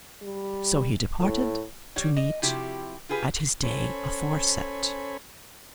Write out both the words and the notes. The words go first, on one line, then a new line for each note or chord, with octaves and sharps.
So he departed to meet at his day aforeset.
G3
A2
G3 C#5 F#5
D#5
C3 F3 E4 F#4 G4
F4 G4 G#4 B4
C#4 A4 C5 C#5 G#5 B5